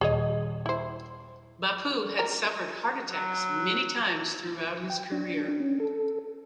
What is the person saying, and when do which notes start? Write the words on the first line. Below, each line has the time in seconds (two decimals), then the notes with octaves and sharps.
Bapu had suffered heart attacks many times throughout his career.
0.01 D#1 G#4 C#5 D#5
0.66 E4 C5
2.19 A#4
3.11 F#3
4.90 G5
5.12 D4
5.60 C#4
5.80 A4